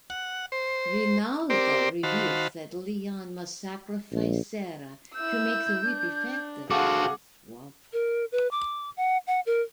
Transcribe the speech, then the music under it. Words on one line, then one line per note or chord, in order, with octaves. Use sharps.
Rinaldo reveals that Leon must sacrifice Sara to make the whip effective against Walter.
F#5
C5
C4 G4 A#4 C5 D5
D#3 F#4 C5 F5 A5 B5
A#1
E4 E6 G6
D4
F#4 G#4 A4 F5 F#5 D6
A#4
B4
D6
F#5
F#5
A#4